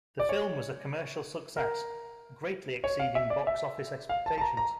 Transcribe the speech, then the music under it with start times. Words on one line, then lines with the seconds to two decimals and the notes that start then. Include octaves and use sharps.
The film was a commercial success, greatly exceeding box office expectations.
0.20 D5
0.29 C#5
1.57 A#4
2.84 C#5
3.00 F5
3.15 E5
3.30 D5
3.47 E5
4.09 F5
4.26 A5
4.38 A5
4.41 A#5
4.57 A#5